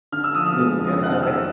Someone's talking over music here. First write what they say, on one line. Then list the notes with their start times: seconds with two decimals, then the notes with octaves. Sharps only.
I mean, and I I
0.12 D3 F6
0.24 E6
0.35 F3 D#6
0.46 F6
0.58 G#3
0.79 F2
1.02 D#3 F#6
1.12 F6
1.23 F#3 E6